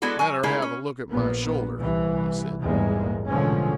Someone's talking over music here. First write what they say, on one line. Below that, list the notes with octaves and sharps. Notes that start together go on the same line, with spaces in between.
'Better have a look at my shoulder,' he said.
G#3 B3 D4 E4 F#4 A4
F#3 G#5
G#3 A3 D#4 E4 G#4 A#4
C#4
A#1 A#3 B3
C2 E3
A#1 E2 G#2 G3 G#3 A#3
A1 B2 D3 F3 G#3 C#4